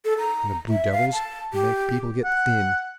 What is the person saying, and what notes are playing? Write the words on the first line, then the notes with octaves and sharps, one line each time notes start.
And the blue devils make people get thin.
A4
A#5
E5
F5
A5
G4
F#5